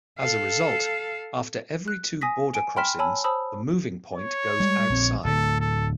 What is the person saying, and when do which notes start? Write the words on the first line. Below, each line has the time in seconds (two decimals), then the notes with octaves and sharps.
As a result, after every two "border crossings" the moving point goes outside.
0.19 A4 F5
1.88 F#6
2.21 G#5 D#6 A#6 B6
2.54 G#5 D7
2.76 G5 B5 C6 F6 B6 E7
2.99 C#5 G#5 A5 B5 E6
3.24 C5 A5 B5 D#6 E6
4.15 C#5
4.60 G3 G#3
4.90 A#1 C4
5.25 D1 D2 A4
5.61 A4